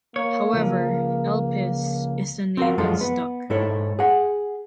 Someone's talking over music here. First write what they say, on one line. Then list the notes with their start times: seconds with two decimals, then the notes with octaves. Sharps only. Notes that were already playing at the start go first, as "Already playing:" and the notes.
However, Elpis is the name that stuck.
0.16 A#3 C#5
0.53 C#2 F3
2.57 C4 F#4 A#4 F5
2.78 F#2 F3 G#3 F4 A4
3.01 B3
3.50 G#2 E4 A4 C#5
3.99 G#4 F#5